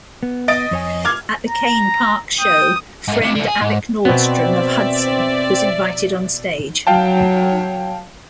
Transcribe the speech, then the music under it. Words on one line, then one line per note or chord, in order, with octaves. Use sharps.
At the Cain Park show, friend Alec Nordstrom of Hudson was invited onstage.
B3
D#5 A6 D7
F2 C#5 G#5
D6 F6 G#6
A#5
G5 D#6
G#2 A3
C#2 C3
C2 D3
G#4
G#2
B2 B3 C4 D5 E5
F#3 C#5 F5 G5 A5